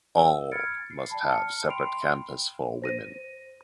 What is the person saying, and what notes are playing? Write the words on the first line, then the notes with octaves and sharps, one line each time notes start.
All must have separate campus for women.
E6
B5 F6 G#6 A6 C#7 D7
C7
D5 G5 A5 B5
F6 C#7
G5 B5 C6 C7 D7 F7
C5 A#6 D#7